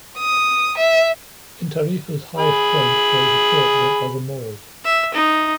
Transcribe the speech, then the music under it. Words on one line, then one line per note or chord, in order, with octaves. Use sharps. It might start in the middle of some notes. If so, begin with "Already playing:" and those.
In Tarifa’s highest point, there is a fort built by the moors.
D#6
E5
G#4 B5
E5
D#4